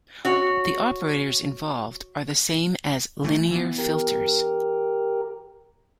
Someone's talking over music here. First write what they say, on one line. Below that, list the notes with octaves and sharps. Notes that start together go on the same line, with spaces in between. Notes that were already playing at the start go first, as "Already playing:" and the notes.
The operators involved are the same as linear filters.
F#4 C#5
E3 A3
E3 B3
G4 A#4